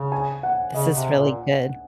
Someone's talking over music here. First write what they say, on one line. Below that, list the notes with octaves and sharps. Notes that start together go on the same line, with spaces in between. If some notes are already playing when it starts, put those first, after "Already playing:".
This is really good.
Already playing: C#3
G#5
F#5
C#3 D#5
C3
A#2